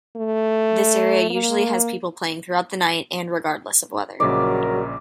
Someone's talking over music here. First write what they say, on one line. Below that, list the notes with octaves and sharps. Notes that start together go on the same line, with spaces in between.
This area usually has people playing throughout the night and regardless of weather.
A3
A#3
A#1 C#3 F#3 A#4 D5 D#5